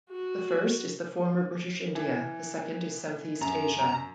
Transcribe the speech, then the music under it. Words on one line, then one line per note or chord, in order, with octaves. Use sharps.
The first is the former British India, the second is Southeast Asia.
F#4
E3
F#2 A#5